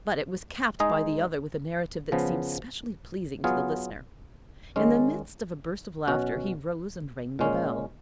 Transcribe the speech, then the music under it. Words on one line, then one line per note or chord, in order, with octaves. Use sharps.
But it was capped by the other with a narrative that seemed specially pleasing to the listener. In the midst of a burst of laughter, he rose and rang the bell.
G#3 D#4 G#4 D#5
C#3 F3 B3
F#3 B3 F4 G#4
D#3 G#3 C#4
B2 F#3 C#4 F#4
A#2 G#3 C#4